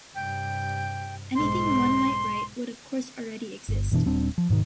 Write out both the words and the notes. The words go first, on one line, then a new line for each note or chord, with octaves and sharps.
Anything one might write would of course already exist.
G2 C3 G5
B1 G#2 C6
G1
F#1 B2 E3 D4
D#1 G3 C4 D4
F3
D#1 G#2 B2 D#3